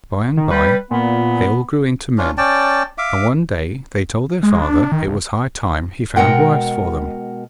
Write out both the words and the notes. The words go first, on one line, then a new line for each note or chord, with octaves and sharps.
By-and-by they all grew into men, and one day they told their father it was high time he found wives for them.
D#3
G3 B4
A#2 B3
C#4 D4 F4
C#4 D5 G5 A5
E5 F5 D6
G#3
D4
D#3
C#2
B2 G#3 A#4 F#5 G5